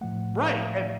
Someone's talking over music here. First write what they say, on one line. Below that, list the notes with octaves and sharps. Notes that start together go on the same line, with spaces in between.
Right, and
A2 F3 A3 F#5
E5
F5